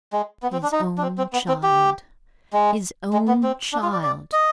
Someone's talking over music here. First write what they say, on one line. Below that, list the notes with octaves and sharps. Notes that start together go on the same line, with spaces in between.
His own child, his own child!
G#3
B3
C4
D4
D#4
D4
C4
C4
B3
C4
G4
G#3
G#3
B3
C4
D4
F4
D5
D5
D#5